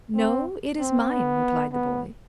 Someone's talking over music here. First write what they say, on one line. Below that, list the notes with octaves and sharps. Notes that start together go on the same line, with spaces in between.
'No, it is mine,' replied the boy.
C4
C4
B3
B3